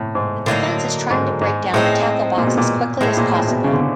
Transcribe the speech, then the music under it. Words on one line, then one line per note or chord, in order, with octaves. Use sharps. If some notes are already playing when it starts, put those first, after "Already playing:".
The defense is trying to break down the tackle box as quickly as possible.
Already playing: A2 C3
G#2
A2 D3 F#3 A#3 D#4
G#2
G#2
A2 G#3 C4 D#4
A#2
B2
A#2
A2 G#3 C4 E4
A#2
A2
B2
C#3
D3
C#3